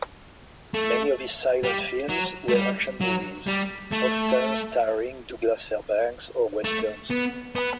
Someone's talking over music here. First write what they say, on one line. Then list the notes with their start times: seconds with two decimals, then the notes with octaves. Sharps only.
Many of his silent films were action movies, often starring Douglas Fairbanks, or Westerns.
0.74 A3
1.64 G3
2.09 F#3
2.48 A3
2.55 G3
3.01 F#3
3.47 G3
3.92 A3
6.64 A3
7.10 B3
7.55 B3